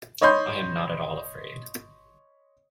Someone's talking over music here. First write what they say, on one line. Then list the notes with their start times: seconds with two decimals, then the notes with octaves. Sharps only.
I am not at all afraid.
0.21 C#5 D#5 B5 C6 G6